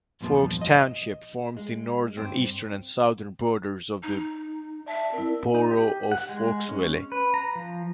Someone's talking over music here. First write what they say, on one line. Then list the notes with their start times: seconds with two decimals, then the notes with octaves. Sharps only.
Forks Township forms the northern, eastern and southern borders of the borough of Forksville.
0.21 E2 G2 A#2 F3
0.61 D#5
1.57 G#3
2.17 G2 C4
4.03 D#4
4.86 D5 E5 A5
5.13 C4 E4 A#4
5.55 D#4
5.71 G4
6.12 F#5
6.29 G#3
6.69 C#4
7.12 B4
7.34 A#5
7.55 F3